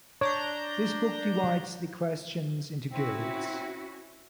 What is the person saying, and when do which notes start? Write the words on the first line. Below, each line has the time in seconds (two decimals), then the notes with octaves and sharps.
This book divides the questions into guilds.
0.21 D4 C#5 A#5 G6
2.92 C4 C#4 E4 F#4